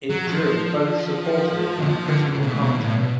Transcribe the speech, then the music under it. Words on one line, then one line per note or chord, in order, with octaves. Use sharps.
It drew both supportive and critical commentary.
F#3
F3
D3
F3
D3
C#3
B2
A2
B2
A2
B2